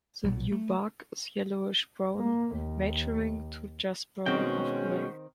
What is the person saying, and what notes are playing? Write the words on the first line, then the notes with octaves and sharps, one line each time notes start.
The new bark is yellowish brown, maturing to just brown of gray.
B1 A#2 F#3
A3
A#3
D#2
B2 D#3 G#3 C4 C#4 F#4 G5